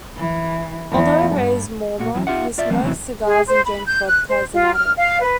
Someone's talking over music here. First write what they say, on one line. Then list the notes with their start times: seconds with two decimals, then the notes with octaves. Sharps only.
Although raised Mormon, he smoked cigars and drank vodka as an adult.
0.17 E3
0.92 E2
1.35 G2
1.99 A#2 F#4
2.15 F#2 E3 F#3
2.27 D#4 F4 G4 E5 F#5
2.58 F4 D5 E5
2.70 E3 F#3 A3 A#3 C4
2.82 A2 C3 E3 F#3 C4 E4
3.26 G#4
3.47 C5
3.65 B5
3.86 G6
4.07 F#6
4.28 C5
4.54 F4
4.74 F6
4.97 F5
5.21 B4